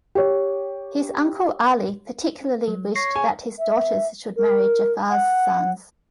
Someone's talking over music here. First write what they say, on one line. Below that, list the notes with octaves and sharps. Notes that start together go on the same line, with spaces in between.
His uncle Ali particularly wished that his daughters should marry Ja'far's sons.
G4 C#5
F#3
C#5 A#6 C7
G#4 G#5
E5
A#4
F#5